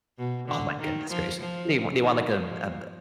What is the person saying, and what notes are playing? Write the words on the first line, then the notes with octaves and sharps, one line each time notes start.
Oh my goodness gracious. They they want, like, a a b
B2
D3
D#3
F3
F3
D#3
F3